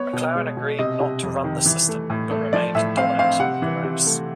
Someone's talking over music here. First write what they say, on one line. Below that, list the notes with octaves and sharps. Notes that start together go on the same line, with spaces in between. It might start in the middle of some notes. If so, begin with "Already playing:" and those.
McLaren agreed not to run the system, but remained dominant in the race.
Already playing: B3 C#5
B2
G#3
B2
C3 D#5
C3
F2
D#3
E3
A3
A2
A3
F3 D5
A2 E5
C4 F5
C4 F5
C3 F#5
E3
C3
A3